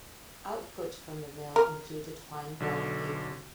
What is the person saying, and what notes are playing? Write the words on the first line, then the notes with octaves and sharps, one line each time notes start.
Output from the mill included fine brown paper.
A#4
B1 D3